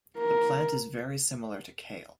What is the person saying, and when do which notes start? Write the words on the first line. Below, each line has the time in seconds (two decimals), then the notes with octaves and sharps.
The plant is very similar to kale.
0.18 A#4